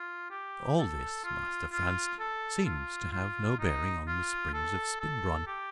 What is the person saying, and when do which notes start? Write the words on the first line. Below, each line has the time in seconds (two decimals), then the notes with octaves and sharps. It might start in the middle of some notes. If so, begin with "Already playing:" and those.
All this, Master Frantz, seems to have no bearing on the springs of Spinbronn.
Already playing: F4
0.31 G4
0.79 A4
1.25 F4
1.72 F4
2.20 A4
2.66 F4
3.13 F4
3.60 D#4
4.07 F4
4.54 A4
5.01 A4
5.48 G4